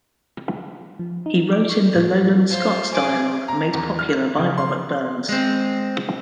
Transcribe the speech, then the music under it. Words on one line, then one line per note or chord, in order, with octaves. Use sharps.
He wrote in the Lowland Scots dialogue made popular by Robert Burns.
F3
D#4
D6
C#6
A2
F4 C5
G#4 D6
A#5
E2
F6
C#3
C6
G#3 C4